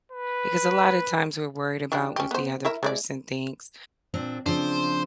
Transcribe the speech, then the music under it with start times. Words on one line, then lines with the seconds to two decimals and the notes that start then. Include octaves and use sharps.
because a lot of times, we're worried about what the other person thinks
0.12 B4
1.92 E3 D4 G4
2.16 C#4 G4
2.31 B3 C5
2.65 E4 A#4 E5
2.83 G#3 E4 D5
4.14 A#2 C4 D4
4.46 C#3 F3 C4 D4 C5